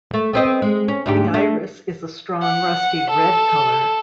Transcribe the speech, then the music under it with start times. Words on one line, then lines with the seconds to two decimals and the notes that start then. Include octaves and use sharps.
The iris is a strong rusty red colour.
0.14 A3
0.33 B3 C4 D#5
0.62 G#3
0.88 C#4
1.06 D2 G#2 G4
1.34 A3
2.43 F#5
3.11 A4